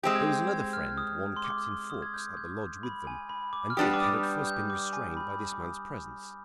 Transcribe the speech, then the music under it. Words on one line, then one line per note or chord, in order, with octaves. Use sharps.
There was another friend, one Captain Fawkes, at the Lodge with them, and Dick had at first been restrained by this man's presence.
G#3 C4 G4 G6
G#6
G6
G#6
F6
D#6
C6
D6
D#6
G#6
G6
G6
G6
B5
G#5
B5
D6
F6
G3 B3 D4 G4 D#6
D6
D#6
G6
G6
D6
G#5
B5
D6
D6
D#6